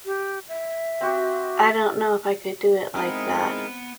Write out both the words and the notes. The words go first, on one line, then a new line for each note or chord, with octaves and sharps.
I don't know if I could do it like that.
G4
E5
C4 F#4 G4
G#3 B3 C4 D#4 E4 G#4 A#4 F#5